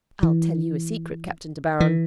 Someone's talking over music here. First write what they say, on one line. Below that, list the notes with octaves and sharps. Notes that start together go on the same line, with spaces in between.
I'll tell you a secret, Captain De Baron.
E3
E3